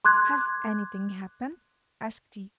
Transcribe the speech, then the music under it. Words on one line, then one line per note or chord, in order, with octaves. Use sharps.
'Has anything happened?' asked he.
C6 D6 F#6 G#6